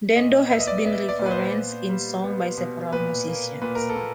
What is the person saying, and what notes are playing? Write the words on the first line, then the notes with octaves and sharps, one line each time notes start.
Dando has been referenced in song by several musicians.
A#2 D#5
B3 E5
D#5
D5
D#5
B3 E5
D5
A#2
B4
C5
B3
G3
B3
B2
A#2 B4
A#3
A#2 B4
A#4
A4
A#2